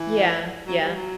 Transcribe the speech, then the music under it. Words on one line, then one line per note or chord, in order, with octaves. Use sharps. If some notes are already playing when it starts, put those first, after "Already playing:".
Yeah, yeah.
Already playing: E3
F#3
G3
F#3